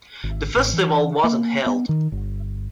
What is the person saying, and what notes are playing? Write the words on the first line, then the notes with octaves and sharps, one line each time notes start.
The festival wasn't held.
G#1
A1
E3
A#3
B3
D#3
G1